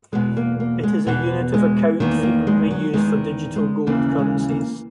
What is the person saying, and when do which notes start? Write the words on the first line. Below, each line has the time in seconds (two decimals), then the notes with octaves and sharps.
It is a unit of account frequently used for digital gold currencies.
0.13 E2 B2 G#3
0.37 A#3
0.60 A#3
0.83 G#3
1.07 E2 B2 B3
1.54 G#3
2.00 E2 D#3 A#3
2.23 A#3
2.47 G#3
2.71 F#3
2.93 E2 D#3 G#3
3.56 G#3
3.87 D#2 C#3 E3 A#3
4.18 G#3
4.49 A#3